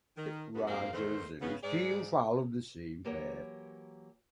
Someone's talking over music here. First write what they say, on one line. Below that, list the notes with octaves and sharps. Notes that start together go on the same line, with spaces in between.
Rogers and his team followed the same path.
D#3
G2 B3
F#2 C3 A#3 G#4 C5 F5
E2 G#2 D#3 A3 C5
C#3 B3
G#2 G#4 D5
E3 F#3 A#3 G4 A#4 C#5